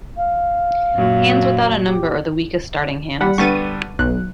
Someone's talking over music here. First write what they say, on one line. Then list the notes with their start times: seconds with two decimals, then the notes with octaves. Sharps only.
Hands without a number are the weakest starting hands.
0.17 F5
0.94 F#2 A#2 F#3
1.85 G4
3.21 G3 F#5 B5
3.38 D3 G3 B3 C#6 A6 D#7
3.99 B1 F#6